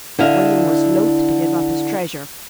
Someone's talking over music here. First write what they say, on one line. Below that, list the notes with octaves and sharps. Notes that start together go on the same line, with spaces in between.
William was loth to give up his treasure.
D3 E4 D#5 F5